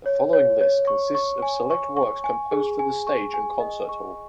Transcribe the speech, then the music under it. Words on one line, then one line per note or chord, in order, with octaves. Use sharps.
The following list consists of select works composed for the stage and concert hall.
C#5
C#5
C#5
C#6
C#6
G#5
C#6
C#6
G#5
G#4
G#5
C#6
G#5
D#5
C#6